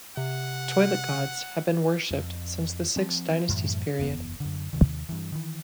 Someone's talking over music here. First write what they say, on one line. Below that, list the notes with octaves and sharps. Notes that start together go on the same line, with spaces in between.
Toilet gods have been worshipped since the Six Dynasties period.
C3 F#5
F2
F3 C4
F#2 A2 E3
F#1 E2 C3 B3
F#2 D3
D#2 C3 D#3
G2 E3
D#3 E3